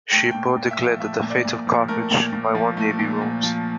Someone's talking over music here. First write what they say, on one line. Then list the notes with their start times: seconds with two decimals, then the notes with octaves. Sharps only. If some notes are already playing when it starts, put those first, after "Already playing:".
Scipio declared that the fate of Carthage might one day be Rome's.
0.12 A3 G5
0.31 A#2 G5
0.57 A#2
0.71 E5
0.78 F3
1.00 A3 E5
1.22 A#2
1.30 D5
1.45 A#2
1.67 F3
1.88 A3 A#4
2.11 A#2
2.33 A#2
2.55 F3
2.77 A3
2.99 A#2
3.22 A#2
3.43 F3